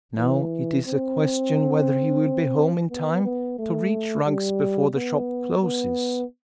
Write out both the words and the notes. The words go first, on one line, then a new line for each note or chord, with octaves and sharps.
Now it is a question whether he will be home in time to reach Rugg's before the shop closes.
E3
C4
B3
B3
A3
G3
B3
B3